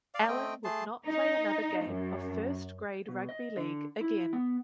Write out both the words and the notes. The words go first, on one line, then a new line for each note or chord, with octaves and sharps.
Allan would not play another game of first grade rugby league again.
D5 F5
A3 C4 D#5 G5
A3 G#4 A5 C6
D#4
F#2
B2
D#5
D3
E4
B3